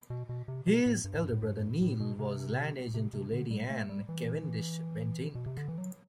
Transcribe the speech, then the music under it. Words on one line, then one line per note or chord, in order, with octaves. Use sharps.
His elder brother Neil was land agent to Lady Anne Cavendish-Bentinck.
B2
B2
C3
B2
A2
G2
A2
G2
A2
G2
A2
B2
C3
C3
C3
D3
G3
A3
G3
E3
B2
C3
D3
E3
F#3